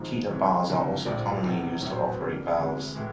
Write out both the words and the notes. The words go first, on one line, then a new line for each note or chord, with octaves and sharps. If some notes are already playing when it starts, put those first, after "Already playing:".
Cheater bars are also commonly used to operate valves.
Already playing: G#1 G#2 F3 G#3
C2 C3 E3 G#3 C#5
F#1 F2 D3
A#1 A2 F3 G#3 D5
F1 E2 C3
A#1 A2 F#3 C#5
C5
B4
F2 D3 G3 A#4
D2 C3 E3 G#3
A2 E3 G#3